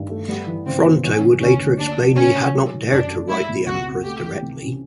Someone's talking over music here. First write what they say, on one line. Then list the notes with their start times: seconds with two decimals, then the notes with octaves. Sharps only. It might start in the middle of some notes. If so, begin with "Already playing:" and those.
Fronto would later explain that he had not dared to write the emperors directly.
Already playing: G2 D#3
0.10 A3
0.28 G3 B3
0.47 E3
0.66 C#3 C4
0.85 B3
1.03 E3 C#4
1.22 C#3
1.41 D2 C#4
1.60 D2
1.79 A#3 D4
1.97 F3
2.16 C#3 C#4
2.35 C#3
2.54 F#3
2.73 D#3
2.91 F#2 D4
3.11 A3
3.29 G#3 E4
3.48 B2
3.66 C#2 F#4
3.85 C4
4.04 A3 G4
4.22 E3
4.42 C3
4.61 C#4